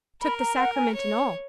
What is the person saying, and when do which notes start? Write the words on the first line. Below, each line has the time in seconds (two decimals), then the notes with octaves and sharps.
"Took the sacrament and all."
0.21 A#4 B5
0.40 A#5
0.57 F#5
0.75 G#5
0.95 C#5